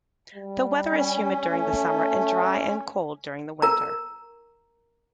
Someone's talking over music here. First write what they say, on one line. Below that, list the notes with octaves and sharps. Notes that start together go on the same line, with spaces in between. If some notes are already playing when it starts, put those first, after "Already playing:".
The weather is humid during the summer and dry and cold during the winter.
G3
C#4
A3
A#4 A#5